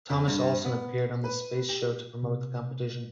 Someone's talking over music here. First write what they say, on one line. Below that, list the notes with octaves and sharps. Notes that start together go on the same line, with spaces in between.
Thomas Olson appeared on The Space Show to promote the competition.
F2
G2
B3
B4
G4
C3